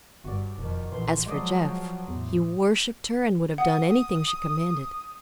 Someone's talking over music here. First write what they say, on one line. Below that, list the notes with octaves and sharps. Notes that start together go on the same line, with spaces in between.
As for Jeff, he worshipped her and would have done anything she commanded.
G1 G2 F#4 D5
E1 F2 D#3
A#1 E3 C6
F3 F#3 G#3 C5 D5 D#5
E2 A2
F#5 D#6